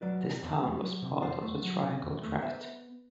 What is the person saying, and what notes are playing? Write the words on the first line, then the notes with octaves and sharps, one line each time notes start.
This town was part of The Triangle Tract.
F#3 B4 D5
C3
E2
A3
F#3
C3
E2 A4 C5
A3
F#3
C3
E2
A3
B3 C5 E5